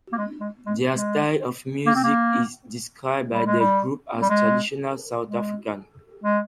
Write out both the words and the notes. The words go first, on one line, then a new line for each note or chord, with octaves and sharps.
Their style of music is described by the group as traditional South African.
A#3
G#3
G#3
G#3
G#3
A#3
C4
A#3
G3
G#3
G3
G3
G#3
G#3
G#3